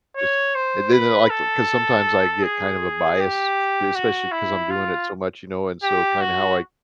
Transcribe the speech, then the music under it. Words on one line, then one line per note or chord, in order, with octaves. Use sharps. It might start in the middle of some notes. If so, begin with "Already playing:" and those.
just and then they'll, like l 'cause sometimes I get kind of a bias especially 'cause I'm doing it so much, you know, and so, kinda how I
C#5
C5
B4
A4
G#4
G4
F#4
E4
F4
G4
F#4